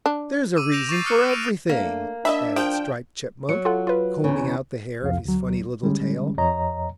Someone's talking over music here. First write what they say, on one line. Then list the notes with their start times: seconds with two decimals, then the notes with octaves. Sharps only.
"There's a reason for everything," added Striped Chipmunk, combing out the hair of his funny little tail.
0.06 D4
0.56 D6 E6 D#7
0.72 G6 A#6 D7 E7 F7
0.89 C#6 D6 A6 C7 D#7
1.05 C#6 D#6 F6 F#6 C#7
1.29 D7 D#7 F7
1.69 A3 A#3 D4
2.25 D4 D#5 E5 A5 B5
2.56 F3 G5
3.49 F#3 C#7
3.65 F4 A4 F#5
3.87 F4 B4
4.24 E2 C#3
5.02 C2 F2 F5
5.25 D2 F#3
5.83 D3 G3 G#3 C#4
6.38 F2 C#5 D#5 A#5